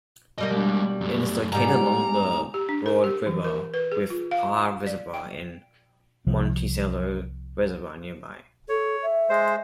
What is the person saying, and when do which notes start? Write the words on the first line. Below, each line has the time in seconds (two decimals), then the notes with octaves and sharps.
It is located along the Broad River, with Parr Reservoir and Monticello Reservoir nearby.
0.38 B2 G3 A#3 D#5
0.52 G#3 D4
1.01 F#2 A3
1.52 G#2 G3 B3 A#5
2.54 G4
2.69 D4
2.86 A#4
3.04 G4
3.26 E3
3.44 A#4
3.74 B4
3.92 G#4
4.10 F4
4.31 F5
4.87 D5
5.14 G5
6.27 C2 C3 F3 G3
8.69 A4 C#5
9.03 E5
9.30 G#3 C5